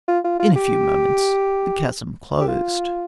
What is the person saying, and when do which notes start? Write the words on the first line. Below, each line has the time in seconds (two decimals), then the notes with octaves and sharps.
In a few moments the chasm closed.
0.08 F4
0.24 F4
0.40 F4
0.56 G4
2.41 G4
2.48 F4